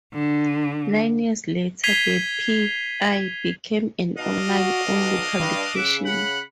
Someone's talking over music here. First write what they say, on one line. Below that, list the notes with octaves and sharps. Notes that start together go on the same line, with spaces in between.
Nine years later, the "P-I" became an online-only publication.
D3
G#6 B6 C7 D#7 F7 G7
B2 D4 D#4 D#5 F5
F#4
B1
G2
C#3 E5 F#5 D6
F#5 B5